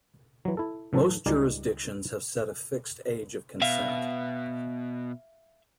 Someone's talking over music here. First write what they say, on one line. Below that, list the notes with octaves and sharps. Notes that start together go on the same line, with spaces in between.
Most jurisdictions have set a fixed age of consent.
E3 F#3
E4 A4
A2 E3 F#3 A4
C#2 G3 D#4 A#4 D5 G#5
B2 E5 F5